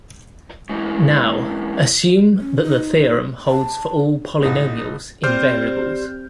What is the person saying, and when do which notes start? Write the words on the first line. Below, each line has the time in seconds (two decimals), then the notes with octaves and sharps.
Now, assume that the theorem holds for all polynomials in variables.
0.69 G#2 E3
2.40 C#4
2.62 D#4
3.47 A5
4.41 A1 G#3 D#4
5.24 G3 C4 C5 F6 G6